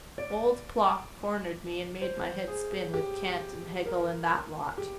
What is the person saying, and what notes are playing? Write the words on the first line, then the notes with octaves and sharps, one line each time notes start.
Old Plock cornered me and made my head spin with Kant and Hegel and that lot.'
D5
C5
G#4
G4
A#4
G4